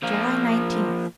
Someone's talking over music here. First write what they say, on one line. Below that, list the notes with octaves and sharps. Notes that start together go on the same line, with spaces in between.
July Nineteenth.
F3 A#3